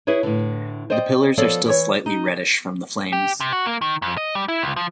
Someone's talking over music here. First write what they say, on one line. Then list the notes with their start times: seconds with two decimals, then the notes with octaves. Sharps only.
The pillars are still slightly reddish from the flames.
0.07 E4 G#4 B4 C#5
0.23 A2 D3
0.90 C5 D5 D#5 G5
1.37 F3 B3 A4 C#5 D5 F5
1.65 E3 C#5
2.06 D#4
3.13 G4
3.40 C3
3.53 F#4
3.66 A#3
3.81 D#3
4.02 F2
4.17 D#5
4.35 G3
4.48 E4
4.62 C#2
4.76 F3